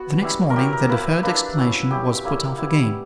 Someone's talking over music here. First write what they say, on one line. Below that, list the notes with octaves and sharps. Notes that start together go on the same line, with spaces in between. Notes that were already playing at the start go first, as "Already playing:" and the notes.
The next morning the deferred explanation was put off again.
Already playing: B3 F#4
G3 C#4 E4
A#4
F#3 C#4 E4 G4
A#4
A#3 E4 B4
A#3 D4 B4
F#3 C#4 E4
F#3 C#4 E4 G4
G3 A#3 E4
G3 B3 E4